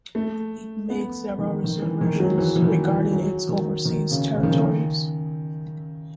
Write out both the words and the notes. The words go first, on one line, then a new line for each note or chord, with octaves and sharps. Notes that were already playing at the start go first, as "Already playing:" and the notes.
It made several reservations regarding its overseas territories.
A3
B3
D#3
D#3
E3
D#3
G#3
F#3
E3
E3
D#3
E3
G#3
F#3
D#3
D#3
C#3
C#3
D#3
C#3
D#3